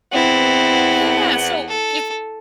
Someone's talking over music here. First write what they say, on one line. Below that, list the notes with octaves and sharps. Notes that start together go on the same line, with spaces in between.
Yeah. So if
E2 B3 C4 E4 F#5
A4